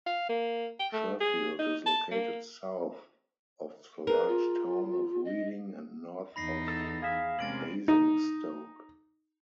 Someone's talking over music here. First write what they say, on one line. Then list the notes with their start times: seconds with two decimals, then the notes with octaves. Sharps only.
Sherfield is located south of the large town of Reading and north of Basingstoke.
0.06 F5
0.29 A#3
0.79 G5
0.93 A3
1.21 G#4
1.59 D#4
1.86 A5
2.11 A#3
4.07 G#4 A#4 B4
4.28 F4
5.25 D#5
6.36 E2 D#4 B5 A#6 C7
6.68 A4
7.02 G#4 E5 F5
7.39 C3 G#3 A#3 C4 C#4 A6 D7 F#7
7.88 D#4